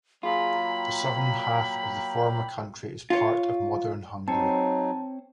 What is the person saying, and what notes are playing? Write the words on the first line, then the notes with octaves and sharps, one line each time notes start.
The southern half of the former county is part of modern Hungary.
F#3 A#3 F4 G#4 B5
G5
F4 C#5
F#3 C4 D#4 C5 C#5 A5